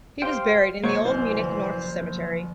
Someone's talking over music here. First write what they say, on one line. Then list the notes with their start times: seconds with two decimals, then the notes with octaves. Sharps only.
He was buried in the Old Munich North Cemetery.
0.22 G4 C5 F5 G5 C6 F6
0.84 B1 C3 F#3 A#3 C5 C#5 D#5
1.05 F#1 E3 F#3 C5
1.36 D3 F3 A#3